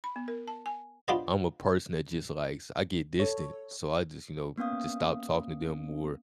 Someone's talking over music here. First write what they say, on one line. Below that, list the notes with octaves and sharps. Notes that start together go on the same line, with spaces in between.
I'm a person that just likes I get distant, so I just, you know, just stop talking to them, or
B5
B3
A#4
A5
G#5
B3 D4 F4 G4 C5 D#5
A4 C#5
A#3 B3 C#4 F5 D#6